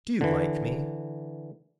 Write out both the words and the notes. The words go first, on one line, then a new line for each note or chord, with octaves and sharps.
"Do you like me?"
D3 E3